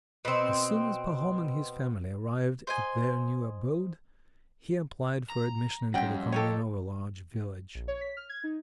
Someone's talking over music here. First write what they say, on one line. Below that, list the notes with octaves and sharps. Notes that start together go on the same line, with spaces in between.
As soon as Pahom and his family arrived at their new abode, he applied for admission into the Commune of a large village.
B2 C4
C5 D#5 G#5
A#5
F2 G3 C#4 F#4 F#5 G5
D#3 D#4 G4 A4 C#5
A#1
C#5
B6
F6
G#6
D#4